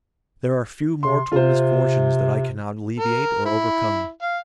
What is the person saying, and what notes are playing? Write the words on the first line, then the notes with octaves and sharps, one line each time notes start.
There are few mortal misfortunes that I cannot alleviate or overcome.
C3 C6
C3 F4 C5
A#4
E4
F5